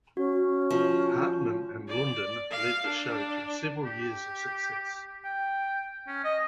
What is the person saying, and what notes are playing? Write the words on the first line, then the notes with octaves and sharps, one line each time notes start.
Hartman and Lunden led the show through several years of success.
C#4 F#4
F3
D5
F5
D4
G4
G5
C#4
D#5